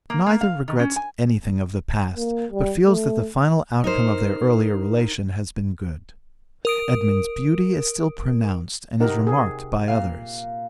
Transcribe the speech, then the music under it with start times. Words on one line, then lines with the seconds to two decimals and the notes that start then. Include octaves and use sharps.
Neither regrets anything of the past, but feels that the final outcome of their earlier relation has been good. Edmund's beauty is still pronounced, and is remarked by others.
0.10 A#3
0.26 A#3
0.41 F5
0.68 D#3
0.79 C#4
0.96 G#5
2.16 A#3
2.52 G3
2.84 A3
3.84 D#4 A#4 C5
6.65 A#4 D#6 D7
9.00 C3 D#4 A#4 F#5
9.27 G#4
9.88 A#2 F5